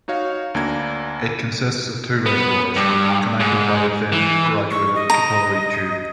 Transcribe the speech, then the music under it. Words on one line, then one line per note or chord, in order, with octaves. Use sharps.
It consists of two reservoirs connected by a thin graduated capillary tube.
D#4 F#4 C#5 F5
D2 A#3 D4 A#5 G#6
B3
G2
G#2
E3
C#6
D#5
A#5